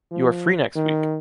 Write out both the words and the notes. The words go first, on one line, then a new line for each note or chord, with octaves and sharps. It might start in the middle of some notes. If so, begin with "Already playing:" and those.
You are free next week.
F3
D#3